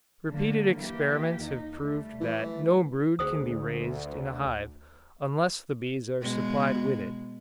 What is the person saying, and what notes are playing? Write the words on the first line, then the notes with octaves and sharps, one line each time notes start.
Repeated experiments have proved that no brood can be raised in a hive, unless the bees are supplied with it.
D3 F#3 A#3
E3 A#3 G4
D#2 D#4
G3 A3
E3
D2 G#4 C5 D#6
B2 G#3 B3